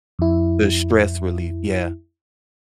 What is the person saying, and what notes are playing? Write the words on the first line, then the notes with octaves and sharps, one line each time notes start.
the stress relief, yeah.
F2 E4